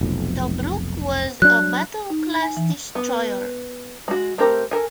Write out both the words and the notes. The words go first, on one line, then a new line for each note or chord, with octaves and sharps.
"Tobruk" was a Battle class destroyer.
F1 B1 F2
F#3 D4 F#6
D#4
G#5
E3
B3
G#3 F#4
A3 C4 G4 A#4
A4 A#4 G#5